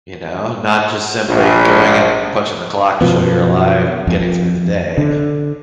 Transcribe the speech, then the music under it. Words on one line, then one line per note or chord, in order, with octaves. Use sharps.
You know? Not just simply going in and punching the clock to show you're alive and getting through the day.
A#1
F#2 B2 F3 B3
F2
D3